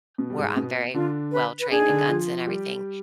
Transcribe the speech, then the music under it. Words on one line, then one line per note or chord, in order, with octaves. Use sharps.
where I'm very well-trained in guns and everything,
B2 B3
G3
G#2 G#3
B2 B3
D3 D4 F4
B4
B4
D4 G#4
D#4
D3 D4
F3 F4
G3 G4